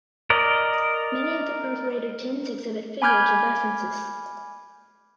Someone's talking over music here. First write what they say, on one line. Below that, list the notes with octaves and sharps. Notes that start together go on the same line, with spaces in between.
Many of the perforated tins exhibit figurative references.
A#4 D5 D#5
G#5 B5 D6 F6 G6 G#6